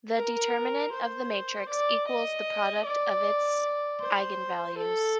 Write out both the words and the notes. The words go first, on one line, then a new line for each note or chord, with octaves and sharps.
The determinant of the matrix equals the product of its eigenvalues.
A#4
C5
D5
D#5
D5
C5
A4